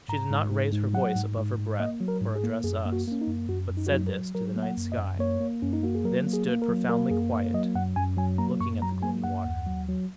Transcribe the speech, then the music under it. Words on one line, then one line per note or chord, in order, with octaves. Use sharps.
She did not raise her voice above her breath, or address us, but said this to the night sky; then stood profoundly quiet, looking at the gloomy water.
G#2 A#5
G#2
G#2
G#2
F#3 F#5
G#2
G#2
G#2
A#3 D#5
F#3
A#4
G#2
G#4
A#3
F#2 G#4
A#3
F#4
A#3 C#4
D#4
F#2
F#2 F#4
F#2
D#4
F#4
F#3 D#4
A#4
F#3
F#3 A#4
A#3
F#5
F#2
D#5
F#2
A#3 C#5
A#3
F#2 C#4
D#4
A#3 F#4
G#4
F#3 A#4
A#3
G#4
A#3
A#4
F#3
A#3 A#4
F#2 G#4
A#3
F#3 D#5
F#2 F#5
F#2 G#5
F#3 G#5
A#3 A#5
F#2 C#6
F#3 A#5
A#3 G#5
F#2 F#5
D#2
F#3
F#3